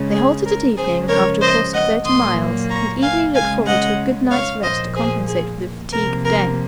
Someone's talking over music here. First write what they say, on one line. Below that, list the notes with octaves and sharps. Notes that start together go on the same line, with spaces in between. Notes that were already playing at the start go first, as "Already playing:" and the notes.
They halted at evening after a course of thirty miles and eagerly looked forward to a good night's rest to compensate for the fatigue of day.
Already playing: C#3 G#3
G#4
A#4
C#3 F3 G#3 G#4 C5
A#4 C#5
C5 D#5
D#5 F#5
A#2 F#3 A#3 C6 D#6
A#5 C#6
F5 G#5
C#3 G#3 F5 G#5
D#5 F#5
C#5 F5
A#2 F3 A#3 C5 D#5
G#4 C5
G#4
C3 F3 A#3 A#4
A#4